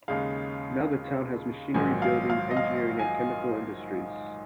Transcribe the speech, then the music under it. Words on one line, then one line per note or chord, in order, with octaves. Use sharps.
Now the town has machinery-building, engineering, and chemical industries.
D#2 C#3 G#3 F5
A#1 G#2 D#3 F#3 G#5
F5
F5
D#5
F5
G#5